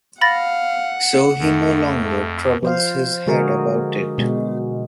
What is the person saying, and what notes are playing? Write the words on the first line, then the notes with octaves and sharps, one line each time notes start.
So he no longer troubles his head about it.
F5 F#5 B5 A6 A#6
F2 A3
F3 C5 F5
D3 G#3 F#4 G#4 A#4
B2 G#3